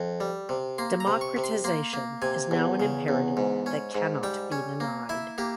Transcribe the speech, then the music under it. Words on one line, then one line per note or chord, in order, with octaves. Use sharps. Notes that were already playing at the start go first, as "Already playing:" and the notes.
Democratisation is now an imperative that cannot be denied.
Already playing: F2
G3
C3
A#3 C6
A#5
C3
C#6
C3
C6
A#3 C6
A#3
C3 G#5
E2
C#3
E2
G#2
C#4
G#2
G3 G5
C#4
A#3
E4 E5
A#3 G4